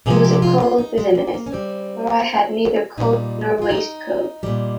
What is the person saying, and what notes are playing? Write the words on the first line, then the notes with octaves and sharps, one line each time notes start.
It was a cold business, for I had neither coat nor waistcoat.
C3 F3 G#3 G#4
G4
F4
F4
D#4
G#3
G#3
A#3
A#3
C#4
C#3 G3 C4
A#2 G3 D#4
F4
D#4
A#2 G3